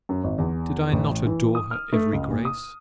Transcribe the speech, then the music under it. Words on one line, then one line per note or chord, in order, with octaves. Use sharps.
Did I not adore her every grace?
F#2
G#1
E2
A1
E3
D#6
F6
A3
C#2
A#2
D#6